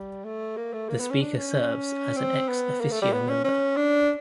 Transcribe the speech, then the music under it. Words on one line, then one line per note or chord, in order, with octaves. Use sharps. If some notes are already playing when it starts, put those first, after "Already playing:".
The speaker serves as an ex officio member.
Already playing: G3
A3
A#3
A3
A#3
B3
C#4
D4
C#4
C4
B3
A#3
A3
G3
B3
C#4
C#4
D4